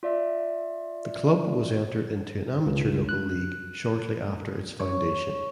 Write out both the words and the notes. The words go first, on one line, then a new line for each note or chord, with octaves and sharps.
The club was entered into an amateur local league shortly after its foundation.
F4 D5 E5
C#2
F#6
C#5